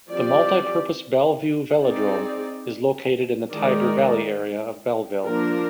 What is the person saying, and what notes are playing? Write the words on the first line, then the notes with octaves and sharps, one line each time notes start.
The multi-purpose Bellville Velodrome is located in the Tyger Valley area of Bellville.
F3 C4 G4 D5
C4 D#4 G#4 D5
D#3 G#3 D#4 A#4 D5
F3 A#3 D4 F4 A#4